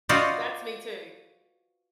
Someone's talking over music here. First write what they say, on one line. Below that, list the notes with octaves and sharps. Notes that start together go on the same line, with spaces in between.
That's me too.
F4 F#4 B4 C5 D5 D#5